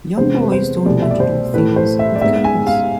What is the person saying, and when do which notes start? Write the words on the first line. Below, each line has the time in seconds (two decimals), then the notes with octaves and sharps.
Young boys don't want to do things with girls.
0.18 E2 C3 G#3 B3 C5
0.42 B4
0.52 C5
0.86 C2 B2 A3 D5
1.02 E5
1.11 D5
1.20 C5
1.54 A2 E3 A3 B4
1.76 C5
1.99 E5
2.15 D5
2.21 G#2 G#3 B3 E5
2.44 G#5
2.67 F5